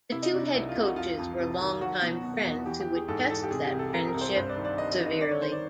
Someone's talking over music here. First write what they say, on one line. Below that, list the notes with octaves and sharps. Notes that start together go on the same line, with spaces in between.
The two head coaches were longtime friends who would test that friendship severely.
C3 E4
D#4
C3 D4
D4
C2 E4
F4
C2
F#4
F2 F4
F2
C3
D#3
F#3 F#4
B2
B2
E2
E3 G4
G4
E3
G#4
G#2 A4
E3 A4
G4
C3 G#4
G4
C2
A4
C3 A#4
A#4
C2
C5
G2 C5
D5
D#3
D5
D#3 D#5
D#5
D#3
D#5
D#3 D5
C#5
D#3 C5
D5